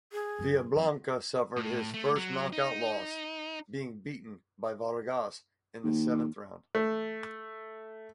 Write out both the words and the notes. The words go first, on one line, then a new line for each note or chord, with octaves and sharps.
Villablanca suffered his first knockout loss, being beaten by Vargas in the seventh round.
G#4
F#2
F2
A2
A3
F#3
D#4
D#2
A3